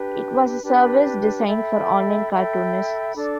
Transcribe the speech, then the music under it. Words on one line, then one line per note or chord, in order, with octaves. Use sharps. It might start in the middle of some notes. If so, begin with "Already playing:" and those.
It was a service designed for online cartoonists.
Already playing: D4 G4 B4
D4 G4 B4
A4 E5 G5 B5
A4 E5 G5 B5
D4 A4 D5